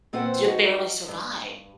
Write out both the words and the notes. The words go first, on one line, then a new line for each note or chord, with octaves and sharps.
you barely survive,
A#2 C4 F4 B4 C5 F#5
D#4 F#4
G2